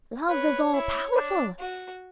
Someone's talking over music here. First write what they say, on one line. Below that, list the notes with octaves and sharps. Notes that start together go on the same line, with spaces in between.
Love is all-powerful.
B4 C#5
E4
D4
F#4